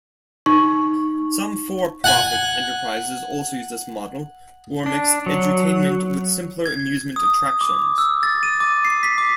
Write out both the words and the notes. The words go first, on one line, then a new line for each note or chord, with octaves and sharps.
Some for-profit enterprises also use this model, or mix edutainment with simpler amusement attractions.
D#4 C#6
F#5 G#5
D4
F#3
G#6
D#6
D6
E6
A6
D#7
D6
C7
B6
D6